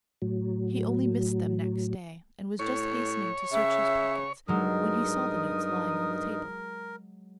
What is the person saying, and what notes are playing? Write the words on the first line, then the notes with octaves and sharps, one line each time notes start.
He only missed them next day, and was just hastening to search his pockets when he saw the notes lying on the table.
A2 F#3
A2 C#5
C#3 E5
G2 F#3 G#3 D#4 A#4 D#6